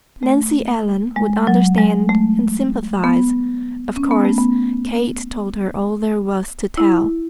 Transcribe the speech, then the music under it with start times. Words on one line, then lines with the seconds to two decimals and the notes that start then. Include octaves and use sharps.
Nancy Ellen would understand and sympathize; of course Kate told her all there was to tell.
0.23 A3
1.16 G#3
1.47 F#3
1.78 G#3
2.09 A3
3.04 B3
3.96 C#4
4.11 B3
4.25 A3
4.38 B3
6.78 E4